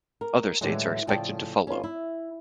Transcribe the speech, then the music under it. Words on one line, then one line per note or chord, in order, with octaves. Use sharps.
Other states are expected to follow.
A#4
A2 D3 E3 F#3 G#3
A2 C#3 F3 D5 G5 A5
C#4 F4
E4